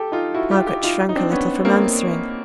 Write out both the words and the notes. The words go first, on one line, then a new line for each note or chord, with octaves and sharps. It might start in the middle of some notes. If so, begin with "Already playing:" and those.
Margaret shrank a little from answering.
Already playing: G4 A4
D#4 F4
E4 F#4
F4 G4
F4 G4
D#4 F4
D#4
C4 D4
B3 C#4
A#3 C4